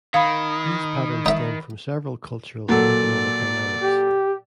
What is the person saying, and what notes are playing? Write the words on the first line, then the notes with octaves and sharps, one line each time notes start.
These patterns stem from several cultural and economic dynamics.
D#3 F5 B5 D#6 G#6
D#4 E5
A#2 F#3 A4 D5
G4